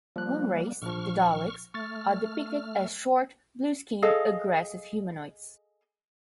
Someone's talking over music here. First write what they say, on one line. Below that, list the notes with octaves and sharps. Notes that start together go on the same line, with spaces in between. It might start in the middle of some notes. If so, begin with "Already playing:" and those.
One race, the Daleks, are depicted as short, blue-skinned, aggressive humanoids.
F3 G3 A#3 F#6
A#1 F3 C#6 F6
A3 C#6 F6 A6
G#4 A4 D#5 F5